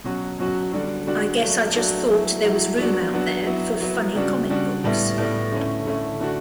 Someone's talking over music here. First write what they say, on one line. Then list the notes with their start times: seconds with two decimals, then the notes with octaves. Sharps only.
I guess I just thought there was room out there for funny comic books.
0.04 B2 F#3 C#4 F#4
0.39 B2 F#3 C#4 F#4
0.73 D3 G3 D4 F#4
1.07 D3 G3 D4 F#4
1.42 F#3 A3 D4 F#4
1.76 F#3 A3 D4 F#4
2.10 F#3 A3 E4
2.44 F#3 A3 E4
2.78 F#3 B3 D4 F#4
3.13 F#3 B3 D4 F#4
3.47 F#3 B3 E4
3.81 F#3 B3 E4
4.15 C#3 G3 D4 F#4
4.50 C#3 G3 D4 F#4
4.84 A2 G3 B3 E4
5.18 A2 G3 B3 E4
5.52 D3 A3 C#4 E4
5.87 D3 A3 C#4 E4
6.21 D3 A3 D4 F#4